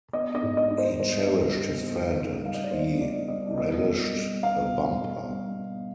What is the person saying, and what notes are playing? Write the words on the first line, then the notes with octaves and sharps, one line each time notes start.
He cherished his friend and he relished a bumper.
B3 D#5
D#5
G#2
D#5
D#4
C5
G3 C5
G3
B3
B3
D#4
G3 F5
D#5
D5
B3 C5
D#4 D5
G3 D#5
B2 D#5
G3
G3
B3 F5
B2
B2
G3
B3